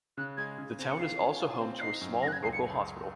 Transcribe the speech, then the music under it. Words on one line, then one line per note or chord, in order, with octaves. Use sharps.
The town is also home to a small, local hospital.
C#3 F#6
G#3 G#6
C#3
C4
C#7
F4 C7
C#4
F4
C4
D#4 C7
F#2
C#3 A#6
F#6
G#6
C#2 C7
C#7